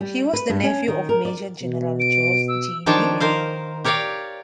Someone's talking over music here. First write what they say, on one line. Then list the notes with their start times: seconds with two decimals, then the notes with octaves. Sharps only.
He was the nephew of Major General George G. Meade.
0.01 G3
0.33 B4
0.50 G2
0.64 C#4
0.88 D#3
1.09 A#4
1.25 D5
1.62 B2
2.00 D7
2.48 E6
2.86 D#3 F3 D4 C#5 G5 A5
3.20 D#3 A#4 C5 F5
3.84 G4 A#4 C#5 D5 F5 G5